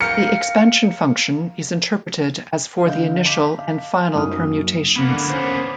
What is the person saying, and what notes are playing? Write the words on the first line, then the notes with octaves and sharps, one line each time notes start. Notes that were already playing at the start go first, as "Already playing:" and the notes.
The expansion function is interpreted as for the initial and final permutations.
A#4 F5 G5 C#7
D3 D#5 F5 G6
A5 D6 B6
F5
G#5
F#2 F#3 A#3 D#4 D#6 F6
A#3 B3
D3
C#4 C5